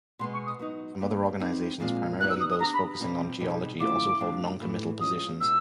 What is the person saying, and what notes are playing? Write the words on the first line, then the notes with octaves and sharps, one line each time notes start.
Some other organizations, primarily those focusing on geology, also hold non-committal positions.
B2 G#3 B3 C6
C#6
D#6
F#3 B3 D#4
G3 A#3 D4 G4 B4
G3 C4 D#4 F#4
A#2 F3 G#3 C4 F4
B3 D#4 G4 B4 D5 F#6
E6
D#6
D#6
B3 D4 G4 A#5
B5
B2 G3 C4 F4
B2 G3 C4 D#4 G#4
D3 F3 A3 C#4 E4 D6
C3 F3 A3 D4
A2 E3 A3
F3 G#3 C#4 F4 D#6
B2 G#3 B3 E4 E6